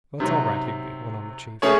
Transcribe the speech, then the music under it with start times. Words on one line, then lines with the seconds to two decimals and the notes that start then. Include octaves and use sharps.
"That's all right, Higby," went on the chief.
0.20 C3 D#3 F#3
1.62 A3 C#4 G#4 C#5